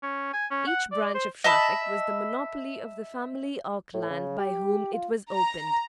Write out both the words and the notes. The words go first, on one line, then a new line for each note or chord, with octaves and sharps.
Each branch of traffic was the monopoly of the family or clan by whom it was opened.
C#4
G#5
C#4
F#5
D5
C5
D#5 E5 A5 B5
A2
C#3
G4
F4
A#5